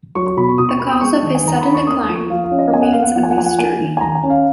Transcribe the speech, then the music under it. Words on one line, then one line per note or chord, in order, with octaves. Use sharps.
The cause of his sudden decline remains a mystery.
F#3 C#6
C#6
B2 B5
C#6
B2 D#6
C#6
B3 B5
D#6
G#3 C#6
D#3
G#5
D#3 A#5
C#4 B5
C#6
A#3 D#6
D#6
F3
C#6
F3 F5
F5
C#4
D#5
B3 G#5
F#5
B3 F5
F#5
F3 F#5
G#5
F#5
F3 G#5
F#5
A#3 G#5
D#3
G#5
D#3 A#5
G#5
C#4
F5